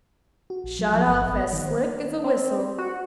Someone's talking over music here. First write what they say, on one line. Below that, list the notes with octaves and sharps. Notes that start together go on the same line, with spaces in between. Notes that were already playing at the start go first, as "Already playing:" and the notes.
Shot off as slick as a whistle.
F#4
A#1
F#3
F3
G1
A1
B3
D#3
C5
A#3
C4
F#4